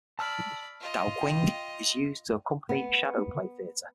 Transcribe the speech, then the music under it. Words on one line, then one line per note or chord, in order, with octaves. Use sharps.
Daoqing is used to accompany shadow play theater.
D5 A5 B5 E6 F6
F4 D#5
G5
B3